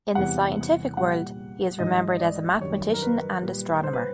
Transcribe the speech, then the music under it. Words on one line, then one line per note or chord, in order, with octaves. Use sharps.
In the scientific world he is remembered as a mathematician and astronomer.
E2 C3 E3 G3 F#5
A#2 G3 F#5
G#2 E3 G3 D#5
D#5
D5
F#2 D#3 G3 C#5
A#4
B4
A#2 G3
C5
B4